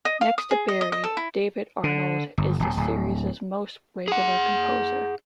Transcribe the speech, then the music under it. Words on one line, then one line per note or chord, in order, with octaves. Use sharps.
Next to Barry, David Arnold is the series' most regular composer.
D#5
F5
D#6
G#4
D#5
D#5
D#5
A4
E4
D3
G1
D#1
D1
G#4 F#5